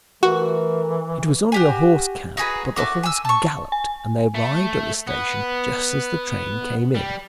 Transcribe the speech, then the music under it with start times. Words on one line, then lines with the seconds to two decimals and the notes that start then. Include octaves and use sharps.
It was only a horse-cab, but the horse galloped, and they arrived at the station just as the train came in.
0.23 E3 A3 F#4 A#4
1.52 F#4 G4 G#5
2.37 D#4 F#4 G#4 B4
2.76 A3 F#4 D6
3.03 G#5 E6
3.25 A5 C#6
3.72 G#5
4.35 A3
5.07 B3
6.95 G3